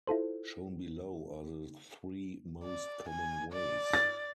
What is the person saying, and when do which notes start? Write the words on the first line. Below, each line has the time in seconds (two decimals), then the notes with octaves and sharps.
Shown below are the three most common ways.
0.07 E4 F4 A4 C5
2.64 D5
3.09 G#5
3.52 D5
3.93 A6